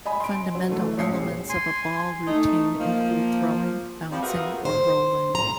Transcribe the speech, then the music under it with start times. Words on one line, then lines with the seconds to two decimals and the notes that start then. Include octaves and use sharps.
Fundamental elements of a ball routine include throwing, bouncing or rolling.
0.06 D#5 G#5 B5
0.20 C6 D7
0.55 F#3
0.69 E3 A3
0.97 A1 C7 C#7
1.14 D#1
1.49 G#5 C6
2.27 A3 D#4
2.78 F3 A#3
4.11 F3 G3 C4
4.22 F4 F#4 G#4 A#4 B4 E5
4.65 C5
5.35 A#5